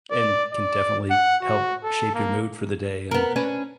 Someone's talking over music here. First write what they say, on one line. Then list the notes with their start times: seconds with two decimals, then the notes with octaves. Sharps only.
And can definitely help shape your mood for the day and
0.11 D5
0.52 D5
1.11 F#5
1.42 F#4
1.84 A4
2.14 A#3
3.11 B3 A#4
3.36 C#4 D4 B4